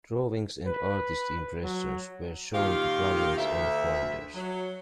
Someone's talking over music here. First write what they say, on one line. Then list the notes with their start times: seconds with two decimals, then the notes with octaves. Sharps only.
Drawings and artist impressions were shown to clients and funders.
0.66 B4
1.63 F#3
2.52 A#2 D#3 F4 G4 F5
3.38 D2 E5
4.35 F#3